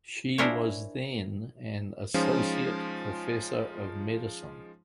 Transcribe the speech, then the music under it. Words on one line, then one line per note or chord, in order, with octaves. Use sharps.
She was then an associate professor of medicine.
D4 E4 G#4 A#4 C5 C#5
F3 G#3 C#4 D#4 F4